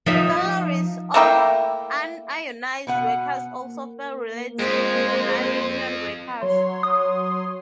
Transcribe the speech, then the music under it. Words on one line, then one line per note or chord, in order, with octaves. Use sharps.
Salaries of unionized workers also fell relative to non-union workers.
F3 D#4 E5
A3 A#3 E4 G5
B2 B3 F#5
A#3
F2 G#3 C5
F#3 C#5 C6
D#6